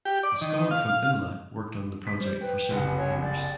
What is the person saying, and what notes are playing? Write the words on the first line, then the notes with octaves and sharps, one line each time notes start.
The scholar from Imola worked on the project for several years.
G4
D5
D#3
F5
B6
G3 C5
B4 G5
F#1 C2 F#5
C#5
D5